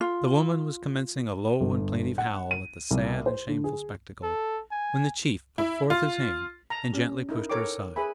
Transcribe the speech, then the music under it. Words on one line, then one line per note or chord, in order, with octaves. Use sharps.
The woman was commencing a low and plaintive howl at the sad and shameful spectacle, when the chief put forth his hand and gently pushed her aside.
F4
G1
F#5
D#7
C2
C5
D3
G#4
A4
G#5
E4
F4
A5 A#5
C#4 G4
D#4 E4 A#4
A4 A#4 C#5 G5 D6
G#4 B4 E5 G#5 B5